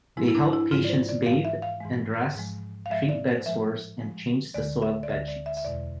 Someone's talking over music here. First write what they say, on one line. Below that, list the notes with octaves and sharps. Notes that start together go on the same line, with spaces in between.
They help patients bathe and dress, treat bedsores and change soiled bed sheets.
G#2 F3 G#3 E4
E4
D4
E4
G#2 F3 G#3 F4
D5
C5
D5
G#2 E3 G#3 F5
E5
F5
G#2 E3 G#3
G#2 F3 G#3
F5
G#2 F3 G#3 E5
D5
C5
A2 F3 G#3 E5
A2 F3 G#3
D2 D3 G#3 D5
E5
D5
D2 D3 G#3 E5
D5
E5
E5
E2 B2 G#3 D5